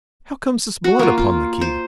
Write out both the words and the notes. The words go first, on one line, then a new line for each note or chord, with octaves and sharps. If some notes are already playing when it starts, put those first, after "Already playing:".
"How comes this blood upon the key?"
F#4
A#3 F4
F4
C5